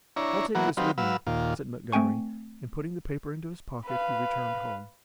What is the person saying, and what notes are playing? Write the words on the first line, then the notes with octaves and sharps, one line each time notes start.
"I'll take this with me," said Montgomery; and putting the paper into his pocket he returned home.
D4 E4 C#5 A#5
E3 F#3 A#3 B3 F#4
F#3 C4 D#4 G4 B4 F5
F#3 B4 F5 E6
D#2 A#2 F4
A3 C4 G5 G#5 C#6
B4 F5